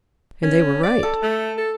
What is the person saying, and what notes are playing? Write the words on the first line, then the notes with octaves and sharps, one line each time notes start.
And they were right.
C#4
D5
A4
A3
A4